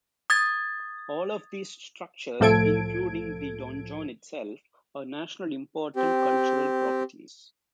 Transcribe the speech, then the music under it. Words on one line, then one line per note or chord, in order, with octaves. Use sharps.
All of these structures, including the donjon itself, are National Important Cultural Properties.
D#6 G#6 A6
C2 A2 F3 A4 G#6 D7
C4 G4